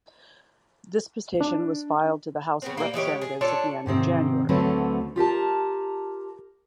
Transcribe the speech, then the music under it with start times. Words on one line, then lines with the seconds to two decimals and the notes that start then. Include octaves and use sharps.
This petition was filed to the House of Representatives at the end of January.
1.41 D4
2.62 C#3 B3 C4
2.77 G3 A#3
2.94 E3 G#3 G4 C#5
3.21 G#4
3.41 D4 F4 A4 C#5
3.86 G#2 C3 D#3 C4
4.49 D2 D3 F#3 A3 C4 B4
5.16 F4 G4 A#4 A5